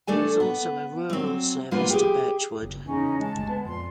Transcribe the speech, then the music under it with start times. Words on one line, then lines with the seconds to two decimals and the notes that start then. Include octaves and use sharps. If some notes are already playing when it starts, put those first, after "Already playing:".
There is also a rural service to Birchwood.
0.07 A3 D4 A4 G#5
0.40 B3
1.10 F#3 C4
1.71 F3 G#3 A#3 B3 F4 B4
1.90 G4 G#4
2.62 F#1
2.86 E2 C#3 C#4 D#4
3.20 G#3 A5
3.35 G1 D2
3.49 B3
3.65 F2 A#2 C6